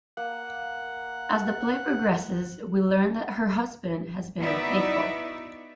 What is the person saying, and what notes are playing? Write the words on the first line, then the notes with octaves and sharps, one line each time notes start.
As the play progresses, we learn that her husband has been unfaithful.
A#3 F#5
B3 D#4 E4 F#4 D5 E5